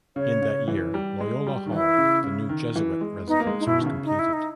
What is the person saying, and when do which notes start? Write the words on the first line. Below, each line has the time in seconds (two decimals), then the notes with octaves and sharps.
In that year, Loyola Hall, the new Jesuit residence, was completed.
0.16 C#3 C#5
0.42 C#3
0.68 E3
0.94 G3
1.20 G#3
1.47 G3
1.66 D#3
1.72 E3 E4
1.98 C#3
2.24 C#3
2.49 D#3
2.76 E3
3.01 G#3
3.27 B3 D#4
3.40 A#3
3.47 G#3
3.60 D#4
3.66 B2 E4
3.80 D#3
3.86 C#3
4.05 D#4
4.19 E4
4.33 D#4